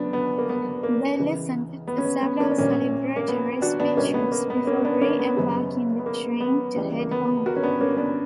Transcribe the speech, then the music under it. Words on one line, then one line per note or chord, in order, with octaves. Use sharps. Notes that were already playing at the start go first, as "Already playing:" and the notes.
They listened to several celebratory speeches, before re-embarking the train to head home.
Already playing: D2 C#3 F#3 B3 D4
B3
A#3
B3
A#3
C#2 C#3 E3
B3
C#4
B3
B3
A#3 C#4
D4
A#1 A#2 G3 A#3 C#4
A#3
B3
D4 F#4
B3 D4
C#2 B2 G3 A#3 C#4
B3
A#3
B3
A#3 C#4
B3 D4
A#3 C#4
B3
F#1 F#2 C#3 B3
B3
A#3
B3
C#2 C#3 E3 G3
A#3
B3
F#4 A#4
C#4
B3 D4
A#3 C#4
B3 D4